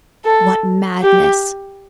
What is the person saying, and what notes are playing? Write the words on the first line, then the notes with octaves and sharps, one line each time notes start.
What madness.
A4
G4